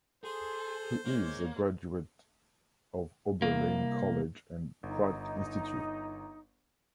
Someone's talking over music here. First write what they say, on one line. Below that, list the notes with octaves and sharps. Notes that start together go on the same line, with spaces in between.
He is a graduate of Oberlin College and Pratt Institute.
G#4 A4 C5 C6
G#3 A#3 C#5
C2 A#3
G1 D#4